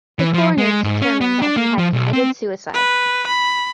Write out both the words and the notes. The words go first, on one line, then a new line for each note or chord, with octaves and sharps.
The coroners determined that he had committed suicide.
E3
F3
G#3
G#2
C#4
B3
D4
A#3
F3
B1
C4
B4
B5